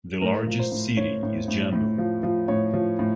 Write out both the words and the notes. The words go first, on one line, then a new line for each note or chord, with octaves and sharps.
The largest city is Jammu.
A2 A#4
F3
C5
A2
A2 C#5
A2
A2
A2
F3
F3
A2 C#5
F3
A2